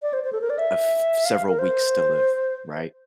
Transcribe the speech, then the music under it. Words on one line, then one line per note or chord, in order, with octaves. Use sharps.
a th several weeks still live, right?
D5
C5
C5
A4
A#4
D5
E5
F5
A#4
C5